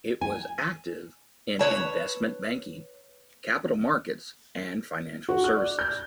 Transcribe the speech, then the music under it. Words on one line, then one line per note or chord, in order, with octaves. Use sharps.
It was active in investment banking, capital markets and financial services.
G#5
B4 C#5 A5
F#4
F#6
D5
G6